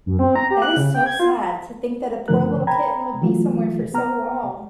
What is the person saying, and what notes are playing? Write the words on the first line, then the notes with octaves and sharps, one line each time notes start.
That is so sad to think that a poor little kitten would be somewhere for so long.
F#2
C4
A#5
G4
F#6
C#3
G5
G#6
F4
G2 D3 F3 A3 A#4 F#6
G5 A#5 B5 G#6
E3 F#3 A3 F4
B3 A#5 F6